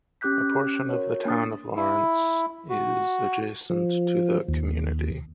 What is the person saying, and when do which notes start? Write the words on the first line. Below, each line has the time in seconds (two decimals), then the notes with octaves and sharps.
A portion of the Town of Lawrence is adjacent to the community.
0.21 C#4 G4 D6 F#6 G6 B6
0.89 F#4 A#4 C#5
1.25 A#3 D4 D#6 A6
1.76 E4
2.70 F#4
3.70 F3
4.48 D#2